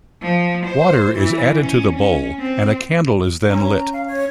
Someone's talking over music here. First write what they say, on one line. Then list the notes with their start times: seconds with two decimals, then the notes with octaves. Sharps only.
Water is added to the bowl and a candle is then lit.
0.21 F3
0.66 C5
1.15 E3
1.61 C#4
1.95 C#4
2.39 C4
3.49 C#4 A#5
3.93 F5
4.07 C#5